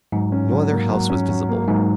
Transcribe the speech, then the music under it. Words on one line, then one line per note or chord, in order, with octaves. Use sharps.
No other house was visible.
G#2 F#3
C#4
F#3
A#3
F#3
C#4
F#3
A#3
G#2 F#3